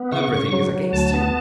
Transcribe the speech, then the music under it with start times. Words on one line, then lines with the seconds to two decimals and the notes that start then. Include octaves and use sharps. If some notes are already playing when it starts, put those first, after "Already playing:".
Everything is against you.
Already playing: B3
0.12 C#3 C#6
0.32 C#3 C#6
0.53 F#3
0.73 F#3
0.93 D2 A5
1.14 B3